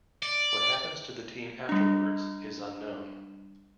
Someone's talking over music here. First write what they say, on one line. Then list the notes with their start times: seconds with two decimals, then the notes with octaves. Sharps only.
What happens to the team afterwards is unknown.
0.23 D5
1.69 G3 D4